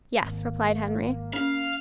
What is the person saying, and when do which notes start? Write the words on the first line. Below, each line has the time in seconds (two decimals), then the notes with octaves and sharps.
"Yes," replied Henry.
0.22 G#1 A#3
1.33 C#4 F5